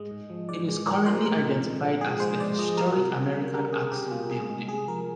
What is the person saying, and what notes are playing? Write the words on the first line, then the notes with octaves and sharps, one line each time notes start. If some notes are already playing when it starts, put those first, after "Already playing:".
It is currently identified as the Historic American Axle Building.
Already playing: G#2 G#3 D#5
G#2
F3
G#2 D5
G#3
G#2 A#4
F3 C5
A#2 A#4
G#3
A#2
F3
G#2 G#4
G#3 C5
G#2 D5
F3 D#5
G3 A#4
C3
C3
G3
G3 A#4
C3 G#4
C3 G4
G3 F4
C3 G#4
G#3
C3 G#4
F3 A#4